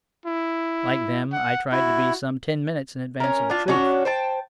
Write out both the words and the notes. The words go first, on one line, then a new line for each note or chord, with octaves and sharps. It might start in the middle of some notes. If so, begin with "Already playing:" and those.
Like them I tried to be some ten minutes in advance of the truth.
E4
F#5
E4 F#4
C#4 A#4
D4 F4
C#4 D4 F#4 C#5
C5 G5 A5